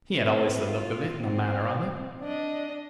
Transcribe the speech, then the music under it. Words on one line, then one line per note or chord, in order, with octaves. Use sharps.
'He had always the look of it, and the manner of it.'
C4 B4
F4
C4
D4 D#5